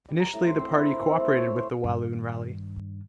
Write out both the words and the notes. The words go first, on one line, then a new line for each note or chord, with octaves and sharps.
Initially the party cooperated with the Walloon Rally.
G3
A#5
A2
C5
C4
E4
A#4
C4
A3
C#5
C5
G2 D#3